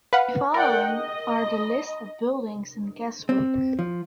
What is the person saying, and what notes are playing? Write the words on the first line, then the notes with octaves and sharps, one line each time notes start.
The following are the listed buildings in Keswick.
B4 F5 F#5
A#4 D5 F#5 G5
D#5
C4
F3